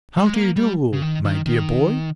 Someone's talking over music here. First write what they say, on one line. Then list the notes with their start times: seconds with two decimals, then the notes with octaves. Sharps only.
How do you do, my dear boy?
0.17 G3
0.25 G#3
0.34 A#3
0.56 G3
0.93 C#3
1.02 D#3
1.25 D#3
1.46 D#3